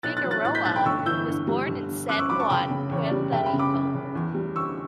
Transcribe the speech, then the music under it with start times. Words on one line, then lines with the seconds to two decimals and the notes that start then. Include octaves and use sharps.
Figueroa was born in San Juan, Puerto Rico.
0.03 B1 F#6 A6
0.17 F#6 A6
0.24 F#3
0.31 F#6 A6
0.44 A2 F#6 A6
0.55 G6 B6
0.65 B1 F#6 A6
0.75 G5 B5
0.86 G1 C#6 E6
1.06 E3 E6 G6
1.27 G2
1.48 G3
1.68 G1
1.88 D3
2.09 F#2 D6 F#6
2.19 C#6 E6
2.29 F#3 B5 D6
2.39 A5 C#6
2.49 F#1 G5 B5
2.70 C#3
2.91 E2 C#5
3.05 D5
3.11 G3
3.32 F#1 E5 G5
3.46 G5 B5
3.53 C#3
3.59 B5 D6
3.73 F#2
3.94 F#1
4.15 E2
4.34 G3
4.55 D3 C#6 E6